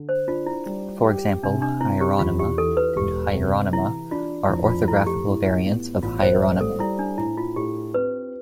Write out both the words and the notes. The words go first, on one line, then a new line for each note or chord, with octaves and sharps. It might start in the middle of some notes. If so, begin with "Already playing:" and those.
For example, "Hieronima" and "Hyeronima" are orthographical variants of "Hieronyma".
Already playing: D3
C5
D4 F4
E4
G3
G4
C3 D4
D4
C4 E4
G4
E2 F4
G4
E3 A4
B4
E1 G4
C3
E3 E4
D4 F4
F2 E4
F4
F4
A3 E4
G4
A2
B3
A1 F4
C5
G3
A4
G3 E4
D4
A2 E4
F4
A2 G4
C4 B4